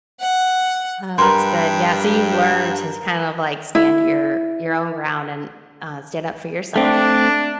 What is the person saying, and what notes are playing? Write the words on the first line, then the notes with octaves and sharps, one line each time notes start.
Oh, that's good. Yeah. So you've learned to kind of, like, stand your your own ground and, uh, stand up for yourself.
F#5
G2 G3 A#4 B4 C6
E4
A3 C4 D4